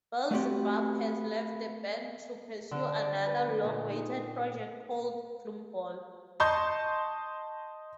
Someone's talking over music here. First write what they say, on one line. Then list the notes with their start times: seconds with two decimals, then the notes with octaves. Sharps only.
Beelzebub has left the band to pursue another long-awaited project called Gloomball.
0.31 A3 B3 C4 F#4 G4
2.71 D3
3.02 D5
3.26 B4
3.64 A#2
3.89 D#4
6.40 D#5 A5 C6 C#6 G6